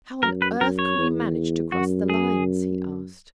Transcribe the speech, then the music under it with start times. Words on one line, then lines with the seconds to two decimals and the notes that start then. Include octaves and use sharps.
"How on earth can we manage to cross the lines?" he asked.
0.23 F#2 A#4
0.42 B4
0.60 F#2 A#4
0.79 C#5
0.98 E2
1.72 F#2 F#4
2.10 G#4